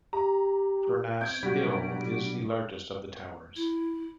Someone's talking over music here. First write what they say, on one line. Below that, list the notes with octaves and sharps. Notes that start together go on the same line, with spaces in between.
Furnas Hill is the largest of the towers.
G4 A#5
C4 G6 G#6 D7
B2 F#3 G3 D4 F#4
E4